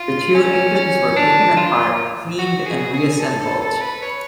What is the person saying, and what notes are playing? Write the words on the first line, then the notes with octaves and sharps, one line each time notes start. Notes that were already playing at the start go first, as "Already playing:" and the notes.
The two engines were taken apart, cleaned and reassembled.
Already playing: F4
C#4
C#4
D4
F4
F#4
G#4
G#4
A4
A4
A4
B4
C#5